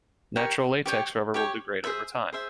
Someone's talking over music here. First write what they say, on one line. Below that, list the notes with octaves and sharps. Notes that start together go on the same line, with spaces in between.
Natural latex rubber will degrade over time.
G4 A#4 C#5
G4 C#5 G5
G4 C#5 G5
G#4 C5 E5
G#4 C5 E5